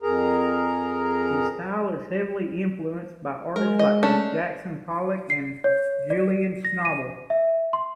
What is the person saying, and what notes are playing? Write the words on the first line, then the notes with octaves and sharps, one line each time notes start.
His style is heavily influenced by artists like Jackson Pollock and Julian Schnabel.
F2 G#4 A#4 A#5
G#3 A#4
D#5
A3 C#4 D4
C7
C#5
D5
A#6
D#7
E5
C6